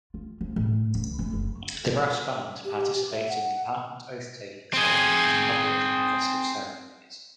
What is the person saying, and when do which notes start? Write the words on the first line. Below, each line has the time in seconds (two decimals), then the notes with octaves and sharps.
The brass band participates in department oath taking ceremonies public and festive ceremonies.
0.14 F4
0.41 F3
0.56 A2
0.95 C#2
1.19 E3
1.33 F#1
2.65 G4
3.12 E5
3.29 F#5
4.73 C4 G#4